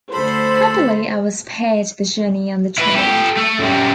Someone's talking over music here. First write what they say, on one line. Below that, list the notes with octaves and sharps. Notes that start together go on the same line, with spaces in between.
Happily, I was spared the journey and the trouble.
D2 A4 C5 B5
E4 B4
G4 A4
A3
F#2 G3